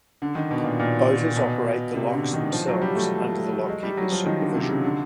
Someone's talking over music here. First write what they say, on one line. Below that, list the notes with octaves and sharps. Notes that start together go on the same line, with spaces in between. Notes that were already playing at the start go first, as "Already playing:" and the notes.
Boaters operate the locks themselves under the lock keeper's supervision.
D3
D#3
B2
A#2
A#2
B2
C3
D3
D#3
F3
F#3
G3
A3
G#3
G3
F#3
F3
D#3
D3
C3
C#3
D3